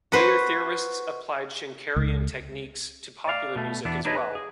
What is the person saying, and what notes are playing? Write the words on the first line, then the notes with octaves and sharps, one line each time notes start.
Later theorists applied Schenkerian techniques to popular music as well.
F#4 B4 C5
C#2
D5 F5
B2 A3
E2 E3 B3 D4
D4 D#4 G4 B4 C#5 D#5
B4
G#4